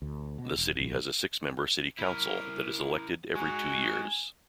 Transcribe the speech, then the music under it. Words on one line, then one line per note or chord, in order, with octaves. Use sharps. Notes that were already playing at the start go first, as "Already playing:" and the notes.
The city has a six-member City Council that is elected every two years.
D2
B2
E1
A#1
E4 A#4
G#3 D#4 F#4 G#5